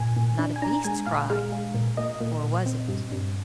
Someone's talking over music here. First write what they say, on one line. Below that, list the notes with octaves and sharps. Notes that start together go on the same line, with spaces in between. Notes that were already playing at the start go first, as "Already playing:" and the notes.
Not a beast's cry--or was it?
Already playing: A#2 G#5
A#2
D4
G#5
D4 A#5
G#3 G#5
A#2 F5
G#3 F5
G#3
A#2
A#2 D#5
A#2
A#2
C4
G2
G2